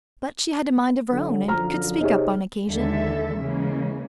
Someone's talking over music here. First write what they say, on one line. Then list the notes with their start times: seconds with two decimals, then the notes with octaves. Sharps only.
But she had a mind of her own and could speak up on occasion.
1.11 D3 F#3
1.48 F#2 D3 F3 A#5 F6
2.01 C3 D#4 G#4 C#5
2.68 D#2 D3 E3 G#3 A4 E5
3.38 C#3 E3 G#3 A#3